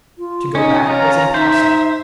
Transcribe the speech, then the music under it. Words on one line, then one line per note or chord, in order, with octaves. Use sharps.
To go back was impossible.
F4
C#4 D#4 D#5
C#4 F4 C#5 A#5
D#4 C5 E5